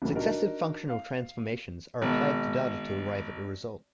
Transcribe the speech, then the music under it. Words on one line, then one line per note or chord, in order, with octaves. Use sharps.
Successive functional transformations are applied to data to arrive at the result.
C2 A2 C#3 E3 F#3
D4 D#4 F#4 A#4
F5
G#1 B2